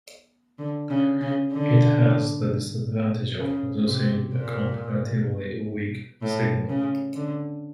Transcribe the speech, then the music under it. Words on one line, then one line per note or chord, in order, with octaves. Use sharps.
It has the disadvantage of producing a comparatively weak signal.
D3
C#3
C#3
D3
C#3
C3
A#2
A2
C#3
D3